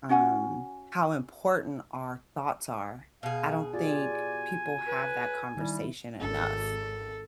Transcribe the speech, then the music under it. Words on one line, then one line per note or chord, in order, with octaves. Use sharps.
um, how important our thoughts are. I don't think people have that conversation enough.
C#4 F#4 F#5 G#5
B2 G#4 F5
F4 G4 D5 G#5
B4
D#3 G3 E4
G#1 A4